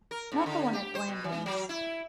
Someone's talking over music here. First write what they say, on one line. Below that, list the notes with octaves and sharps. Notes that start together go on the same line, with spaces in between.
Not the one at Blandings?
A#4
G#2
D3
G4
C5
B2
E3
F#3
E4